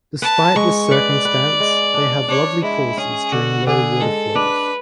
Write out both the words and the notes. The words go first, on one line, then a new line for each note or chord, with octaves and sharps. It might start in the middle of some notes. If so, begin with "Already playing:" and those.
Despite this circumstance, they have lovely courses during low water flows.
B4 A5
G#3 C#6
B4 D5
B4
G#3
D4
D4 C#5
G#3 E4
C#4 G#4
D3 F#4
D3 G#4
G#3 A4
D4 B4